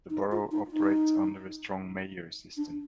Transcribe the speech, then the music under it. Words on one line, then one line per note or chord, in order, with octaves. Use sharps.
The borough operates under a "strong mayor" system.
D#4
F4
D#4
D#4
D4